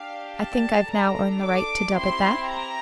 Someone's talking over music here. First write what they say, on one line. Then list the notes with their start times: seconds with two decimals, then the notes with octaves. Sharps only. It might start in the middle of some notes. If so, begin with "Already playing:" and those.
I think I've now earned the right to dub it that.
Already playing: D4 G4 F5
0.38 A5
0.91 D4 A4 A#5
1.43 D6
1.95 C4 E4 G4 C6
2.48 A#5